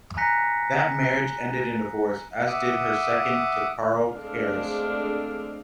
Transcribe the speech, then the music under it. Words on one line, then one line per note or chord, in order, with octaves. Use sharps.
That marriage ended in divorce, as did her second, to Carl Karas.
G#5 A#5 F#6 A#6 B6 C#7
E5 F#5 D6 D#6
G#3 A3 C4 D4 A4 F5